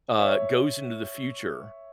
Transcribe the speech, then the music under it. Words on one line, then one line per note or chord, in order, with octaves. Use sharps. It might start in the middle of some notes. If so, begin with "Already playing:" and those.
uh, goes into the future
C#5 E5